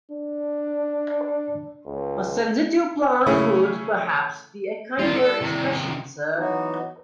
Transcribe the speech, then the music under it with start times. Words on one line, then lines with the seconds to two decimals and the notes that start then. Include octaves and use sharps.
A sensitive plant would, perhaps, be a kinder expression, sir.
0.12 D4
1.86 C#2
3.26 C#3 A3 C#4 E4 G#4
4.99 D#3 G3 E4 F4
5.16 A4
5.41 C3 D#3
6.36 E3 F#3 B3 D#4 F#4